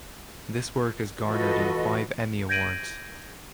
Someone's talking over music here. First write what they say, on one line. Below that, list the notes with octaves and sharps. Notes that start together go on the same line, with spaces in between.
This work has garnered him five Emmy Awards.
E3 F4 F#4 A4 B4 D#5
G6 G#6 A#6 D7 D#7 F#7